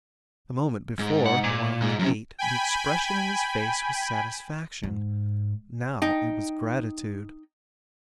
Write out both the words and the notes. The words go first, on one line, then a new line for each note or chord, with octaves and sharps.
The moment before, while he ate, the expression in his face was satisfaction; now it was gratitude.
G#2
F#5
A#2
G#2
F#2 C#3
G5 G#5 B5
G#2
D#4 G5